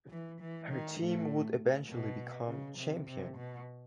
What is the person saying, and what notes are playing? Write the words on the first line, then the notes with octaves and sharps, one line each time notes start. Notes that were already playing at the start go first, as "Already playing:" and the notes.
Her team would eventually become champion.
E3
E3
D#3
A2
B2
C#3
C3
C3
B2